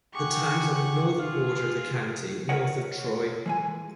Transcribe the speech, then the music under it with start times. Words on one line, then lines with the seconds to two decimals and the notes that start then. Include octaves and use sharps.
The town is on the northern border of the county, north of Troy.
0.14 G4 G#4 F#5 C#6
1.19 F4 G#4 F5
2.49 A#4 B4 C#5 D#5 F#5
3.46 E3 G#3 G#5